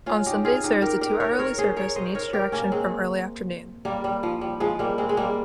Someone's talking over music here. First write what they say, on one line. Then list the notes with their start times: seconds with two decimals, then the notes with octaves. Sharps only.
On Sundays, there is a two-hourly service in each direction from early afternoon.
0.06 C#4 F4
0.26 D#4 G4
0.45 F4 G#4
0.64 D#4 G4
0.82 G4 A#4
1.01 G4 A#4
1.20 A#4 C#5
1.39 A#4 C#5
1.58 G#4 C5
1.76 A#4 C#5
1.96 C5 D#5
2.15 A#4 C#5
2.33 G4 A#4
2.52 A#3 C#4
2.72 G#3 C4
3.85 G3 A#3
4.04 G3
4.23 F3
4.41 G3
4.60 F3 G#3
4.79 G3 A#3
4.98 G#3 C4
5.09 G#3
5.17 G3 A#3